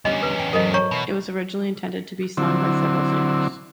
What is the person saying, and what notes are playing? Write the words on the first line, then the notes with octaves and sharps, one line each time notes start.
It was originally intended to be sung by several singers.
E2 D3 G3 B3 C#4 D#5
B4
G5
G#2 F#3 A4 A#4 D#5
C#5 A#5 C#6
B2 E3
D3 F#3 C4 E4